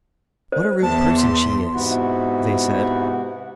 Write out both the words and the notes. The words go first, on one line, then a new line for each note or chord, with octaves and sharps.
"What a rude person she is!" they said.
C5
E2 A5
C6
G#2 C3 B3 E4 F#4